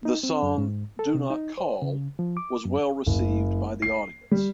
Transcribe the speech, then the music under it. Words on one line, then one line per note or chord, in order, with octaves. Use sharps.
The song "Do Not Call" was well received by the audience.
D#4
C4
F#2
G#2
A4
C3
D#4
C5
C#3
F3
D6
F#2
F#1
C7
G3